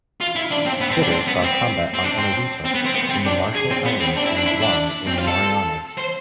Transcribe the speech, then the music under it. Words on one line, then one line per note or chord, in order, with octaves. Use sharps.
Sitter saw combat on Eniwetok in the Marshall Islands, and Guam in the Marianas.
F4
E4
D4
C4
B3
C4
D4
C4
B3
C4
C4
D4
C4
C4
B3
C4
B3
C4
D4
G#4
C4
B3
C4
D4
E4
D4
E4
D4
C4
F4
A4
C5